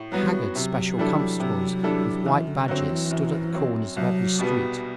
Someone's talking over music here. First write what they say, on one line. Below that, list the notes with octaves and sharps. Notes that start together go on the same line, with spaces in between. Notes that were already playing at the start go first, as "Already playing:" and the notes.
Haggard special constables with white badges stood at the corners of every street.
Already playing: A2
F#3 G3 B3 F#4
C3 F#3
E3 G3 D4 A4
C3
E3 G3 D4 A4
F#2 E3
D3
D3 F#3 C4
E3
F#2
F#3 C4
C2 F#3
B2 G3 B3